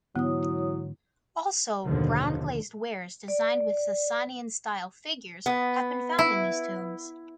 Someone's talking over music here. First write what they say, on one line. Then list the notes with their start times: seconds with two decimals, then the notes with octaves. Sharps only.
Also, brown glazed wares designed with Sasanian-style figures have been found in these tombs.
0.16 G#2 D3 E3 F#3 B3 E4 C#5 D#6
1.86 F#1 D#2 B2 D3 D#3 F3
3.28 D5
5.46 B3
6.19 E4